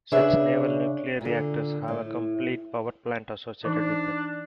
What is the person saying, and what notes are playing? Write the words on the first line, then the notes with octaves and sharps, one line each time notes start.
Such Naval nuclear reactors have a complete power plant associated with them.
C#3 D4 G#4 B4 C#5 E5
A#2 D3
A2
E3 D4 D#4